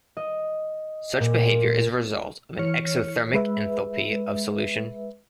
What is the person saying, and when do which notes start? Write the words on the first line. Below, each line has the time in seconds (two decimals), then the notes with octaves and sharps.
Such behavior is a result of an exothermic enthalpy of solution.
0.17 D#5
1.20 A#2
2.59 E3 C#5 F6 C#7
3.34 G#3 B4 E5